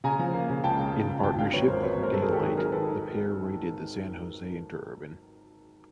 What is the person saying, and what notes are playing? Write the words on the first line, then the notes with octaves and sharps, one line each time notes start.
In partnership with Daylight, the pair raided the San Jose Interurban.
C#3 G#5 A#5
F3
A#3
C#3
C#2 G5 A5
C#3
C#2
C#2
G#1 G5 A5
D3 F5 G5
F#2 B4 C#5
G#1 A#4 C5
G#1 B4 C#5
B4 C#5
F#2
A#4 C5
F#2 A4 B4
G#4 A#4
G#1 G4 A4
D#3 F#4 G#4
F#3 G#4 A#4
D#3 A4 B4